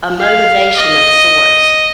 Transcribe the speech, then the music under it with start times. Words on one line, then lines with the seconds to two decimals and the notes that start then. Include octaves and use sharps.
a motivation of sorts,
0.20 F5
0.76 D#5